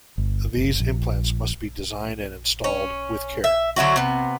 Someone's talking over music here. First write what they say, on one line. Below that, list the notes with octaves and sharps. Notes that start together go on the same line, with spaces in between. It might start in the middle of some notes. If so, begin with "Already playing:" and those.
These implants must be designed and installed with care.
G1
F#1
A#1
C#4
E5
D3 F#3 E4 F#4
C3 B3